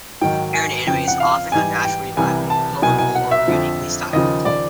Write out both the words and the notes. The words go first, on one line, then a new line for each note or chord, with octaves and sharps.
Hair in anime is often unnaturally lively and colorful or uniquely styled.
G#2 D#3 F#3 G5
G#5
F2 C#3 F3 G5
F#5
F5
G#2 E3 G3 G#5
G5
C2 C3 E3 G3 G#5
A5
C2 B2 F#3 G#5
G#5
F#5
E5
F2 D3 F3
D#2 C#3 F3 D#5
D5